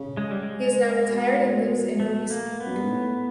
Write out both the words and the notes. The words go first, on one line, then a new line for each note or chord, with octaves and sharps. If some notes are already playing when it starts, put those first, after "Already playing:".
He is now retired and lives in Novi Sad.
Already playing: C#3
G#3
G3
G#3
B2
A3
A#3
B3
F#2
G2
G#2
A2